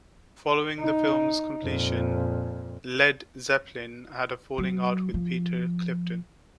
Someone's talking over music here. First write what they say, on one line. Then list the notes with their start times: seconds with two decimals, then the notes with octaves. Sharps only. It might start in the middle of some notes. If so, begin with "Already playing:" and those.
Following the film's completion, Led Zeppelin had a falling out with Peter Clifton.
0.79 D#4
1.64 F2 A#2
4.58 F#3
5.14 F3